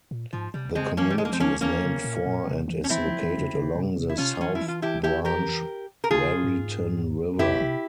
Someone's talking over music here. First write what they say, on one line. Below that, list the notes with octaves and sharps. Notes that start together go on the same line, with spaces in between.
The community is named for and is located along the South Branch Raritan River.
A#2
G#2 F3
C3 G3
C#3 G#3 C4
E3 A#3 C#4
G3
G#3
A#3
F3 C4
A#3 C#4
E3 A#3 C#4
C#3
A#2
A#2
C3
E3
C#4
E3 C4 E4
F3
E3
C#3
C#3
C3
C3
E4
C3 C#4 F4
E3 C#4
E4
E3
F4
E4 G4
E4 G4
G4 A#4
A#4
C#3 F4 G#4
G#2
G2
G#2
F2 E4 G4
C3